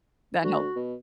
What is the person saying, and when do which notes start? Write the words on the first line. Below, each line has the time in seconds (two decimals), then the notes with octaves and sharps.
that helped.
0.44 D2 F#4
0.76 B2